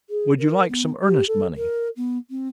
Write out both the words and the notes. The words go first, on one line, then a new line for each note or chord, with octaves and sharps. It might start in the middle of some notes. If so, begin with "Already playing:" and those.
"Would you like some earnest-money?"
G#4
A#4
B3
G4
A4
A#4
B3
C4